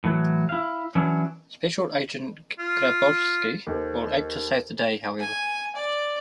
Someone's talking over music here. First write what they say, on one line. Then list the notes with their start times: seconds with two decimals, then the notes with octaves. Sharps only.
Special Agent Grabowsky will act to save the day, however.
0.04 A2 E3 F#3
0.49 E4 F5
0.95 E3 F#3 C#4 D4 E4
2.59 F4
3.67 D#2 A4 C5
5.20 G#5
5.76 D5